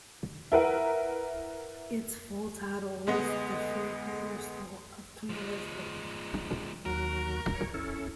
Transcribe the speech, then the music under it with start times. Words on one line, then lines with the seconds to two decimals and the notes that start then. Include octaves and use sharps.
Its full title was The Free Grammar School of Queen Elizabeth.
0.52 E4 A#4 B4 F#5
3.07 D2 G#3 B3 D#5
5.29 F3 G#3
6.86 D#2 F#3 F#4 A#4
7.55 C#5
7.74 C#4 E4 A4